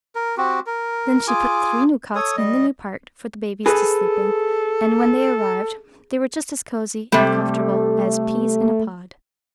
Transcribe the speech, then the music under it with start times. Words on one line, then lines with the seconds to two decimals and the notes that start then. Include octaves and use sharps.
Then she put three new cots in the new part for the babies to sleep in, and when they arrived they were just as cozy and comfortable as peas in a pod.
0.15 A#4
0.37 C4 F#4 G4
0.67 A#4
1.27 F4 G#4 G#5 D6
2.15 A4 C#5 D#6
2.37 G3 D#5
3.66 G#4 A4 B4
7.12 C3 G3 A3